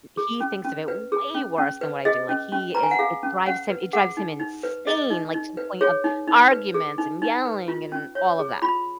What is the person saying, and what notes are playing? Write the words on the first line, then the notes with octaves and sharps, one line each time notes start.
he thinks of it way worse than what I do, like, he is it drives him it drives him insane, like, to the point of arguments and yelling and all of that.
G#4
C#4
C#4
B4
G#4
C#4
C#4
B4
G#4 D#5
C#4
C#4
B4 A#5
G#5
F#5
G#4 F5
C#4
C#4 F#5
B4
G#4 F#5
D#4
D#4
B4
G#4 D#5
D#4
D#4
B4
G#4 C#5
D#4
D#4
B4
G#4
D#4
D#4
B4
F4
C#4
C#5
G#4
F4 B5